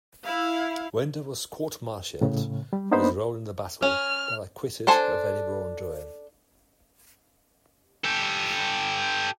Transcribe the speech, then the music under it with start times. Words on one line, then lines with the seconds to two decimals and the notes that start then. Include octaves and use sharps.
Winder was court-martialed for his role in the battle, but acquitted of any wrongdoing.
0.25 E4 F5
2.21 A2 C#3
2.73 G3
2.91 A#3 B3 D4 D#4 C5 B5
3.83 C#4 F6
4.87 D4 A4 C5 G#5
8.04 G4 A4